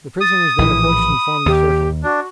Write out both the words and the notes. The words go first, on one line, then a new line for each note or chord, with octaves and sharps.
The prisoners then approached and formed a circle.
D#6 A6
A#1 A2 E3 E4
B5
D#2 G4
D4 F#4